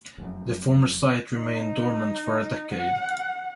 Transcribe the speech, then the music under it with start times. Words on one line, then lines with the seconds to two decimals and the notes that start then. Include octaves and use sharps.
The former site remained dormant for a decade.
0.18 F1 F#2
1.34 D#4
2.73 F#5